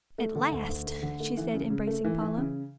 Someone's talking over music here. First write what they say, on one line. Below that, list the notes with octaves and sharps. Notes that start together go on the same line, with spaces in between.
"At last," she said, embracing Paula.
A3
D3
D2
D2
A3
D3
A3
E3
C#3
C#3
A3
E3
E3
C#3